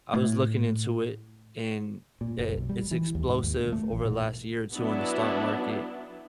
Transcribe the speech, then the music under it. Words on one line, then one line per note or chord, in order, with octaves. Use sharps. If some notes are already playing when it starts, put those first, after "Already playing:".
I was looking into it, and, it it's explosive over the last year or two in the stock market.
A2
A#2
F#1
B1
G3
E3
D#2
G#2
D#2
D2
A3
A1
A#2
F#3 B3 D4 E4